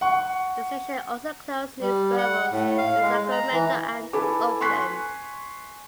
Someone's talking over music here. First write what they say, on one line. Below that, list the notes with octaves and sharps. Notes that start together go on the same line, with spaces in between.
The station also closed news bureaus in Sacramento and Oakland.
F#5 C#6
G3
F#5
A2
F5
G#3
A#5
E3
E4 A4 B4 G#5 D6
G#5 C6 C#6 F#6 B6 C7